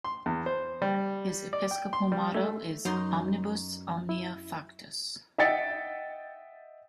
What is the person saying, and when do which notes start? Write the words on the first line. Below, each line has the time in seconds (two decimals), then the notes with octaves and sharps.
His episcopal motto is "Omnibus omnia factus".
0.04 C6
0.26 E2
0.46 C5
0.82 G3
1.53 D5
1.71 G5
1.93 C6
2.12 G3
2.34 A3
2.85 F#2 F#3 D#4 C6
4.09 E4
5.38 D#5 E5 F#5 G5 A6 C#7